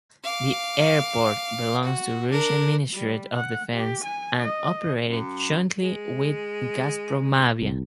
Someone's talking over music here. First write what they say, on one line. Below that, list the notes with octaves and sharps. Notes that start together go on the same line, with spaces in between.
The airport belongs to Russian Ministry of defence and operated jointly with Gazpromavia.
F5 D6
F#4
D4 A#4
G3
F#5
G4
G#5
D#5
F#2
G#3
C2